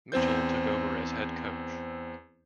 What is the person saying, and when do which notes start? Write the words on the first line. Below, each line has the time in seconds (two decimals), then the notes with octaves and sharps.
Mitchell took over as head coach.
0.12 E2 C4 C5 G6